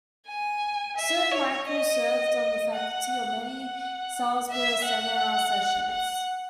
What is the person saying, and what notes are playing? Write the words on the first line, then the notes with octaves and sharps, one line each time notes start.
Sir Michael served on the faculty of many Salzburg Seminar Sessions.
G#5
E5
C#5
D#5
F#5
F#5
E5
F#5
F#5